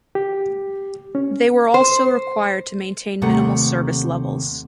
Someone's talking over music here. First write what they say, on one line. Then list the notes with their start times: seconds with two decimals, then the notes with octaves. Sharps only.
They were also required to maintain minimal service levels.
0.15 G4
1.15 C#4
1.74 C5
3.22 D#2 C3 A3 F#5 A#5